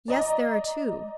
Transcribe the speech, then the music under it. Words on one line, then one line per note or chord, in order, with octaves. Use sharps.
"Yes, there are two."
D5 D#5 A#5